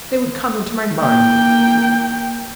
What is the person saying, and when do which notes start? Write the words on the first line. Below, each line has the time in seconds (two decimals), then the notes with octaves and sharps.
They would come into my mind.
1.01 A#3 G5